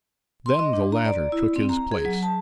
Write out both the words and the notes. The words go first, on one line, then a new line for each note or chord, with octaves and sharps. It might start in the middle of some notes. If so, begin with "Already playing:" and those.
Then the latter took his place.
C6
D#5
D4
A#5
D5
E4
C4
A#5
G#4
F#3
A5